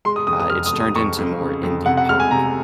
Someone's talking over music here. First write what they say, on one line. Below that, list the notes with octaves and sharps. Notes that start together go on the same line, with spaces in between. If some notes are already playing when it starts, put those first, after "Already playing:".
Uh, it's turned into more indie pop
G#3 C6
D#6
F2 D#6
D#6
F2 F6
D#6
F2
D#6
F2 C#6
F2
C#3
F2
C3 F#5
F#5
G#3 F6
G#5
C3 A#5